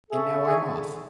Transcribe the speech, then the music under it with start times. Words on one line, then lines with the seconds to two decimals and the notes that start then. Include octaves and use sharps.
And now, I'm off.
0.11 G#4 A4 E5 A5 C#6
0.47 G#4